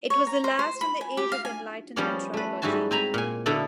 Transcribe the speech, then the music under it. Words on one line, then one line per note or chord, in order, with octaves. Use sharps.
It was the last in the "Age of Enlightenment" trilogy.
C#5
A#5
C5
C5
B5
G#5
G4
F5
G#5
F3 G3 B3 C#4 C#5 D5
A3 B4
G#2 G3 E4 F#4 G#5 A5
C4 G#5 A#5 B5
A#2 G#5
B2 D3 A#3 B3 E4 A4